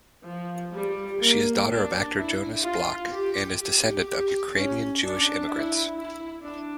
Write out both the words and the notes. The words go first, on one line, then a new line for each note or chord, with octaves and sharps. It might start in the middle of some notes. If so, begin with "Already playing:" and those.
She is daughter of actor Jonas Bloch, and is descendant of Ukrainian Jewish immigrants.
F3
G3
A#3
D4
E4
F4
G4
G4
G4
C#4
D4
E4
E4
D4